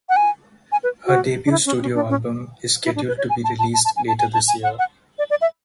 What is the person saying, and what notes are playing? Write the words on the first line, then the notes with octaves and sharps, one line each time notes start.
Her debut studio album is scheduled to be released later this year.
F#5
G#5
G#5
B4
F#4
D4
E4
C#4
C#4
D4
C#4
E4
D4
B4
C#5
G#5
A5
A5
A5
A5
G#5
A5
G#5
A5
G#5
F#5
F#5
D5
D5
E5